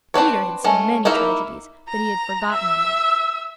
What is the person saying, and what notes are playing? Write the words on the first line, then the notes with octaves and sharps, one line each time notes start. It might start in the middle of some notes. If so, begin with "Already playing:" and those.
Peter had seen many tragedies, but he had forgotten them all.
C4 D4 B4 C#5
G#3 A3 C#4
A#3 D#4 E4 A#4 E5
A#5
E5 E6